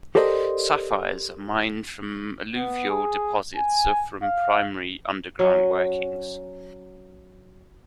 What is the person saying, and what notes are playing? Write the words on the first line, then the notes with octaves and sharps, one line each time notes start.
Sapphires are mined from alluvial deposits or from primary underground workings.
G4 A4 A#4 C5 D5 D#5
B3
G#4
G#5
F5
F#3 C#4